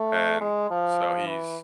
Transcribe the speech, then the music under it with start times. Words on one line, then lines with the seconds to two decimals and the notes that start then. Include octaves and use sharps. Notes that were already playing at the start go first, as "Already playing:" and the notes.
And so he's,
Already playing: A3
0.41 G#3
0.70 F3
1.27 E3